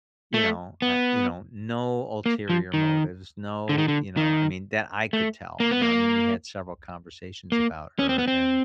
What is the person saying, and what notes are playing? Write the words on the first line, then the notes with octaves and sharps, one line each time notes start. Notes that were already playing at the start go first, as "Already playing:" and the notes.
you know, I you know no ulterior motives. No, you know, I mean, that I could tell, you know? I mean, we had several conversations about her, and
A3
B3
A#3
F3
D#3
D3
D#3
D3
D#3
A3
A#3
B3
A#3
A#3
C#4
C4
B3
C4